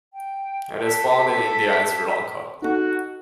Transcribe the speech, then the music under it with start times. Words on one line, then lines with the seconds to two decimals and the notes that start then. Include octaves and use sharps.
It is found in India and Sri Lanka.
0.14 G5
0.82 A4 B6
2.62 D#4 F#4 A4